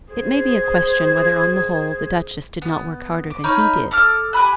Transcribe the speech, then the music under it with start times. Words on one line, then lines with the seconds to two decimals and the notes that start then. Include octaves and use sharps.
It may be a question whether on the whole the Duchess did not work harder than he did.
0.13 G#4 C5 G#6
2.62 B3
3.30 D6
3.44 D#4 B4 C#5 F6
3.91 A4 D6 F6
4.33 G4 G#5 B5 F#6